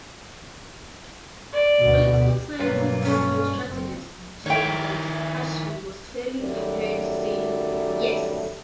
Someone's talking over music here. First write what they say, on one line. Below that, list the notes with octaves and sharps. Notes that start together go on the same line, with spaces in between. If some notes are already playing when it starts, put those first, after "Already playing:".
Political scientist and geostrategist Javed Hashmi was clearly heard saying: Yes!
D5
D2 B2
G2 B2 F#3 A#3 F4 B4 C#5
C#4
F#1 C4
D#3 E4 C#5 G5
F#2 D#3 F#3 G3 A3